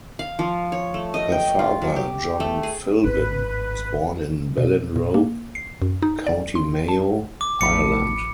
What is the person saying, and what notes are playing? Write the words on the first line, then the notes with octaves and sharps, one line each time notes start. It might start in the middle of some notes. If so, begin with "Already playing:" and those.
Her father, John Philbin, was born in Ballinrobe, County Mayo, Ireland.
F5
F3
C#5
A3
D#5
G5
F4
F#3
G4
A3
G#4
G#1 A2 B4
B2
A#2
A#3
C7
F#2
D#4
D5
C6
A5
D6
A1 F3 A3 D#4 B5 C#7